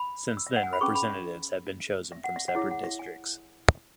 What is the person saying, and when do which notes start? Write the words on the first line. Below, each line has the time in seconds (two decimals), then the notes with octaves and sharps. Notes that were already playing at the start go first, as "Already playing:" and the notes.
Since then, Representatives have been chosen from separate districts.
Already playing: B5
0.37 E6
0.47 E5
0.56 F#5
0.63 G#5
0.73 B5
0.81 C#4 G#4 B4 C#6
0.95 B5
1.10 E5
2.12 E5
2.24 F#5
2.36 E5
2.48 F#5
2.55 E4 G#4 C#5 E5
2.71 F#5
2.84 E5
2.99 G#5